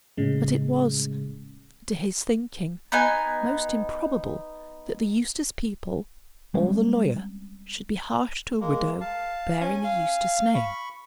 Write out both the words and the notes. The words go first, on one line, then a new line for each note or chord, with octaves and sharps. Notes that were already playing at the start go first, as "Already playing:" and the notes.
But it was, to his thinking, most improbable that the Eustace people or the lawyer should be harsh to a widow bearing the Eustace name.
A2 C#3 G#3
B3 D#4 G#5
G3 G#3 C4 C#4
G#3 A#3
F5 A5
C#4 G#5
F5
B5 C#6